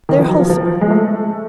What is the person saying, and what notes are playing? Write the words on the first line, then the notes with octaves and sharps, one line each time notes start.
They're wholesomer.
D#3
F3
F#3
F3
F3
G#3
A3